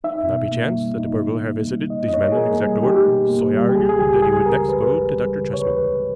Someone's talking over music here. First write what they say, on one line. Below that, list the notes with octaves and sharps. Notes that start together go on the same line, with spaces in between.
It could not be chance that the burglar had visited these men in exact order, so I argued that he would next go to Dr. Tresman.
D#4 E5
B2
A#3
G3
D#4
B2
A#3
G3
D#4 D#5
D#5
B2 C#5
G#4
A#3 A#4
G3 G#4
D#4 G4
B2
A#3
G3
G4
C#2 G#4
G#4
C#2 G4
G3 G#4
C#3 A#4
C#2 B4
C#2
G3
C#3
C#5
C#2 B4
C#2